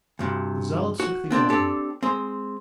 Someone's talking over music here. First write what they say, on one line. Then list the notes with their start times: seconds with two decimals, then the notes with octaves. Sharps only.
The zealots took the alarm.
0.19 D2 G2 C3
1.00 F#4
1.31 B3 C4 D4
1.50 C4 D4 G4 A4
2.03 G#3 C4